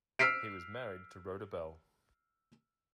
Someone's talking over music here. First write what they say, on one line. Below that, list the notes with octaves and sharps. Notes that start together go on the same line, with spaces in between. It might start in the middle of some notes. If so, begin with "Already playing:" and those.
He was married to Rhoda Bell.
E6 F6 B6 C7 D7